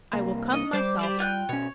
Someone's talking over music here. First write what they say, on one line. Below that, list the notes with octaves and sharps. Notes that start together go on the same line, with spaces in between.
"I will come myself."
C2 A#3
D#4 D#5
G3 C5 D6
G4 C5 D5
F4 G5 F#6
B2 C#4 C#5